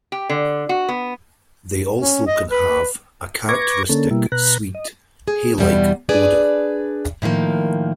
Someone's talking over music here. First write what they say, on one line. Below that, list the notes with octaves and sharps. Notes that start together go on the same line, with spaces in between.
They also can have a characteristic sweet, hay-like odor.
G4
D3
F#4
B3
C#4
D#5
B4
B4 C#6 D6 G#6 A#6
D3 A#3 C#4 A4
B2 G3 A#3 E4
B2 B4 A#5 F#6
D#5
G#4
E2 G2 B2 G3 B3
D4 G#4 B4 D5
A2 D#3 F3 A#3